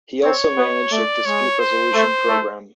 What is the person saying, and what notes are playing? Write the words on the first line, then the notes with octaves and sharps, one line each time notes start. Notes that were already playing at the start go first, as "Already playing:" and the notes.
He also managed a dispute resolution program.
C4 C#5
B3
A3 D5
G#3 C#5
C5
A3
A3